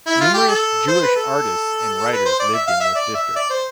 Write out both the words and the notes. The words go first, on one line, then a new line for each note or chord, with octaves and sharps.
Numerous Jewish artists and writers lived in this district.
E4
F4
G4
A4
C5
B4
A4
B4
C5
D5
E5
F5
E5
D5
E5
D5
C5